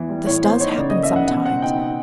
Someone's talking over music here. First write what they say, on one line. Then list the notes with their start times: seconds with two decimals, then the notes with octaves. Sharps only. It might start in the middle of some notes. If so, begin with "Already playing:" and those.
This does happen sometimes.
Already playing: E2 E3
0.10 G3
0.27 A2 C#5
0.43 B3 C5
0.61 D#4 C#5
0.77 C#3 D5
0.90 D#5
0.95 A#3
1.03 E5
1.11 C#3
1.16 F#5
1.27 B2 F#5
1.45 C4 F#5
1.62 D#4 G5